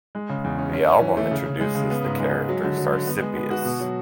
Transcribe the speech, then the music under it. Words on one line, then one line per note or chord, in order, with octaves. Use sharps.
The album introduces the character Sarsippius.
G#3
C#3
E2
C#4
C#4
C#4
E3
A3
C#3
C#3
G#3
C#3
B3
G#2
G#3
G#3
F#3
D3
F#3
D3
B3
G#3
B3
F#4
B2
F#3